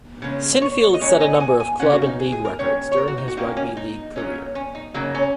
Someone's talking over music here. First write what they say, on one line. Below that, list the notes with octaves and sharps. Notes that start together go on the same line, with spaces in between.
Sinfield set a number of club and league records during his rugby league career.
C#3 G#3 C#4
C#5
C#5
D#5
A#2 G#3 C#4 C#5
D#5
F#5
G#5
G#5
C#3 A#3 C#4 F#5
F#4
C#4
D#4
G#4
G#4
A#4
D#3 G#3 C#4 C#5
C#5
A#4
F#4
D#4
F#4
D#3 A#3 C#4 D#4
C#4
D#4
A#2 F#3 C#4
C#4
D#4
C#3 F#3 A#3 D#4
C#4